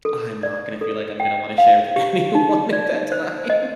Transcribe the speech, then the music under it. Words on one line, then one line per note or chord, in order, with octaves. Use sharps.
I'm not gonna feel like I'm gonna wanna share with anyone at that time.
A4
D5
A4
G5
F5
G4
D#4
D5
C5
D#5